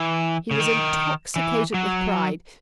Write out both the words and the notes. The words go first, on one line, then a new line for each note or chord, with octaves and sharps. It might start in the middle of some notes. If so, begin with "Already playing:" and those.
He was intoxicated with pride.
Already playing: E3
C#3
D#3
E3
F#3